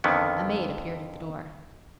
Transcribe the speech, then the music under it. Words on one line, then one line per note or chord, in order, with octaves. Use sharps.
A maid appeared at the door.
F2 D3 D#3 B3 C#4